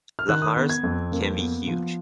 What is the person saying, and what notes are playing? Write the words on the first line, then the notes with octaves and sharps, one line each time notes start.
Lahars can be huge.
F6
D#3 F#6
D#6
B3
G#6
F2
A#3
B3
F3